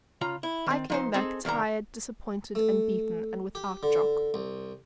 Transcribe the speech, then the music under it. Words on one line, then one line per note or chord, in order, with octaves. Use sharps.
I came back tired, disappointed and beaten, and without Jock.
C#3 F4 A#5
E4
D#3 C4
F3 D#4 C5
C4 D#4 G#4 A4
C2 D#3 A#3 A#5
A3
G4
D3
C2